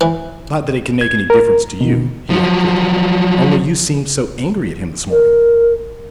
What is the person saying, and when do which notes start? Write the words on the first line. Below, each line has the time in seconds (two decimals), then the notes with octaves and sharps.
"Not that it can make any difference to you," he added quickly, "only you seemed so angry at him this morning."
0.01 E3
1.01 G#6
1.30 A#4
1.81 B2
2.30 F3 F#3
5.10 A#4